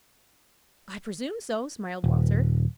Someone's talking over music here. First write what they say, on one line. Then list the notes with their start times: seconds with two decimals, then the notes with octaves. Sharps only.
"I presume so," smiled Walter.
2.04 D#1